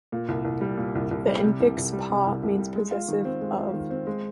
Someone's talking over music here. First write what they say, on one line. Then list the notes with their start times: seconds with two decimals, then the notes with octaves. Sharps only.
The infix "pa" means possessive 'of'.
0.12 A#2
0.28 C2
0.45 C2
0.61 G3
0.77 A#2
0.95 C2
1.11 C2
1.27 G3
1.44 C3
1.60 C2
1.77 C2
1.93 G3
2.10 C3
2.27 C2
2.43 C2
2.58 G3
2.75 G#3
2.91 F4
3.08 D#3
3.25 C4
3.41 G#3
3.58 F4
3.73 D#3
3.91 C4
4.07 G#3